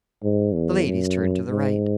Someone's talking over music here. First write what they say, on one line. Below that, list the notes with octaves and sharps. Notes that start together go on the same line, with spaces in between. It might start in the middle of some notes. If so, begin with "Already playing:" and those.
The ladies turned to the right.
G#2
E2
F#2
G#2